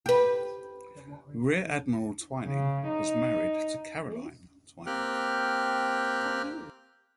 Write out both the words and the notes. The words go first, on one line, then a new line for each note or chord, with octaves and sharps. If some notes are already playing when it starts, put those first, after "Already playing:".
Rear Adm. Twining was married to Caroline Twining.
G4 B4
C#3
D#4
A#3 C4 G4 G5 F6 F#6